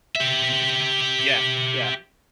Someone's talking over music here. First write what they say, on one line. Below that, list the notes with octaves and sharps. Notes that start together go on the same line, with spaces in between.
yeah, yeah.
G4 E5